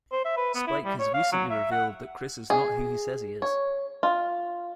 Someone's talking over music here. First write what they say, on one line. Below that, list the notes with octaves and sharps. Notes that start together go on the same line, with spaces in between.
Spike has recently revealed that Chris is not who he says he is.
C5
E5
B4
B3
E4
G3
C#5
F5
F#3
E5
F#5
G#4
C#5
F4